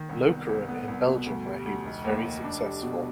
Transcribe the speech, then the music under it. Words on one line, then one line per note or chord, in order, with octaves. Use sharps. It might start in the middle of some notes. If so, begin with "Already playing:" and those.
Lokeren in Belgium where he was very successful.
Already playing: D#3
C2
B3
C2
B3
C2
B2
D2
G3
D2
F1
D#2
F1
D4
G3
B2